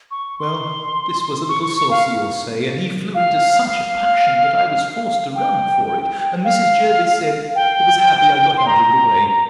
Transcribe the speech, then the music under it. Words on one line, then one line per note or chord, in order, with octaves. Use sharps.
Well, this was a little saucy, you'll say--And he flew into such a passion, that I was forced to run for it; and Mrs. Jervis said, It was happy I got out of the way.
C#6
C6
C#6
C#6
C#6
F5
F5
F5
G5
F5
G5
C6
A#5